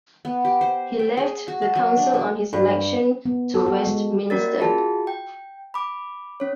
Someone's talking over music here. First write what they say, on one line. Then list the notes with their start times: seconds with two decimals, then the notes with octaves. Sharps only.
He left the council on his election to Westminster.
0.25 B3
0.45 G4
0.61 C5
0.99 G5
1.17 G#4
1.48 F#4
1.62 A5
1.76 F#3
1.97 D4
2.13 B2
2.53 G2
3.25 B3
3.55 A4
3.66 F#4
3.87 G#3
4.30 A#3 C#4 F#4 A#4 D5 A6
4.58 F4 F#4 G#4 A5
5.07 G5
5.74 B5 D6
6.40 C#4 C#5